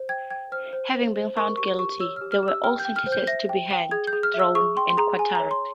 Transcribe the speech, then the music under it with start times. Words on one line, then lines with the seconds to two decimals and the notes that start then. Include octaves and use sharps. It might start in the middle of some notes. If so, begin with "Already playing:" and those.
Having been found guilty, they were all sentenced to be hanged, drawn and quartered.
Already playing: C5
0.09 G5 G#6
0.30 G5 G#6
0.52 C5 F6
0.73 C5
0.94 C5
1.16 C5
1.37 A#4 C#6
1.57 G4 C#6
1.79 G4 C#6
2.00 C#5 E6
2.16 F6
2.21 G4
2.32 F6
2.43 G4
2.48 E6
2.64 G5 F6
2.80 G6
2.85 G5
2.96 F6
3.06 C5
3.12 G6
3.27 E5 A#6
3.49 G5
3.71 G5
3.91 G#4 G#6
4.07 G6
4.13 G#4
4.23 F6
4.34 E5
4.39 E6
4.55 G#4 C#6
4.77 G5 C6
4.90 C6
4.97 G#4 A#5
5.19 G#4 G#5
5.35 C#5 A#5
5.51 C6